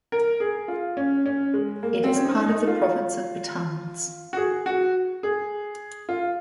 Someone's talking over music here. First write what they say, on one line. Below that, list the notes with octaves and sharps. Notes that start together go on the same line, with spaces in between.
It is part of the province of Batanes.
A#4
G#4
F4
C#4
C#4
G#3
A#3
C4
C#4
D#4
D#4
F4
F#4
G#4
F#4
G#4
F4